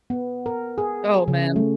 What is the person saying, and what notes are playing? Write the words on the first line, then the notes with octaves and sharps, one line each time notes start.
Oh man.
B3
A#4
G#4
C#3
A3